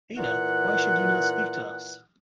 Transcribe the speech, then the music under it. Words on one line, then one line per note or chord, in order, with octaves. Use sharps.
Ada, why should you not speak to us!
A#2 E3 F#5